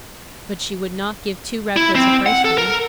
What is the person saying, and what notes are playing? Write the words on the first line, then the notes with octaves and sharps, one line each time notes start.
But she would not give too reckless a price for them.
E4
C4
F#5
A4
A#4